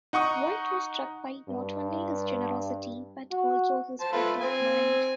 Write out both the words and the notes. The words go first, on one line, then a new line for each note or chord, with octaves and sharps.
White was struck by not only his generosity, but also "his breadth of mind".
D#4 F#5 C#6 D#6
G2
F#4
C5 A5
A3 F4 B4
C4 G#5